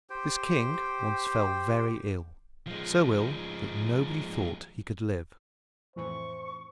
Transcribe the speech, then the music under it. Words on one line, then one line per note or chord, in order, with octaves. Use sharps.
This king once fell very ill--so ill that nobody thought he could live.
G4 C5 G5
F3 G#3
F2 A2 E3 C5 C#6